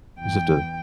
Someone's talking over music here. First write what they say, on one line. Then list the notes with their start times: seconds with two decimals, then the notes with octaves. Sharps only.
You just have to
0.19 E2 G5